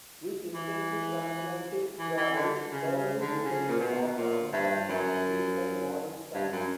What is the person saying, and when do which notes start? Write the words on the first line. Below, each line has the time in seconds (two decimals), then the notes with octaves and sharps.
With intensive transatlantic travel, Carlu becomes a sort of ambassador of Streamline Moderne style.
0.54 E3
1.99 E3
2.17 E3
2.35 D3
2.72 C#3
2.96 C#3
3.20 D3
3.44 C#3
3.69 A#2
3.80 B2
4.16 A#2
4.53 G2
4.89 F#2
6.34 G2
6.52 F#2